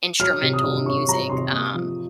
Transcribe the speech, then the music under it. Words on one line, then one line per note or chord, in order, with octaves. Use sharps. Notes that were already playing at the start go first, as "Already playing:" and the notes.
instrumental music, um,
F#3 F6
C3
D#6
C3
C#4 C#6
F#3 A#5
C3 C6
A#3 D#6
F3